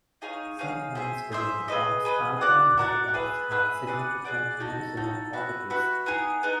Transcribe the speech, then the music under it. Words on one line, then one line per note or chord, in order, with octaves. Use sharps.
Some plants within the park's alpine habitats have significant medicinal properties.
D#4 G#4 C#5 F5
D#4 G#4 C#5 F5
G#4 C5 E5
G#4 C5 E5
G#4 B4 D#5
G#4 B4 D#5
F#4 A#4 D5 F#5
F#4 A#4 D5 F#5
G#4 B4 E5
G#4 B4 E5
G#4 B4 D5 F#5
G#4 B4 D5 F#5
D#4 F#4 A4
D#4 F#4 A4
F#4 B4 E5
F#4 B4 E5
B3 D#4 G#4
B3 D#4